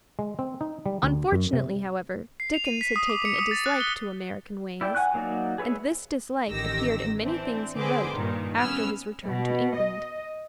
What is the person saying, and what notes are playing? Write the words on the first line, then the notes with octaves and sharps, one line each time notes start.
Unfortunately, however, Dickens had taken a dislike to American ways, and this dislike appeared in many things he wrote after his return to England.
G#3
C4
D#4
G3
D2
F#2
C3
C7
F7
D#7
B6
D#6
D6
C#7
D#6
A6
F#6
G7
E4 D5 G5
F#5 G#5 C#6 F#6
F#3 A#3 D#4 F#4 D5
G#4 B4 C#5 E5
A1 D#3 G4 E6 A#6
E3 C4 D4
D3 C4 G#4 B4 C5 D6
G2 A#2 D#3
G2 B3 C#4 E6 F6
B2
D#5